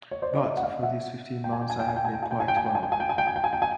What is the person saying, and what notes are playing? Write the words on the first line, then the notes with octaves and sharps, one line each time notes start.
But for these fifteen months I have been quite well.
C#5
C5 D5
D#5
D5 E5
F#5
D#5 F5
E5 F#5
G5
G#5
G5
G#5
G5
G#5
G5
G#5
G5
G#5
G5
G#5
G5
G#5
G5
G#5
G5
G#5
G5
G#5
G5
G#5
G5
G#5
G5
G#5